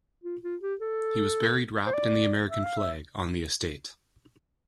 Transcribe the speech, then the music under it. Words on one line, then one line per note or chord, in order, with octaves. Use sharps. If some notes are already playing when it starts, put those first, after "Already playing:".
He was buried wrapped in the American flag, on the estate.
F4
F4
G4
A4
C5
D5
E5
F5
E5